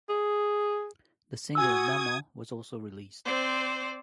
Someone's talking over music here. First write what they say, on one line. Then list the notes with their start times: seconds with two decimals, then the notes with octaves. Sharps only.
The single "Maman" was also released.
0.09 G#4
1.55 F#4 G#5 D#6 E6 G#6
3.25 C4 C5 D5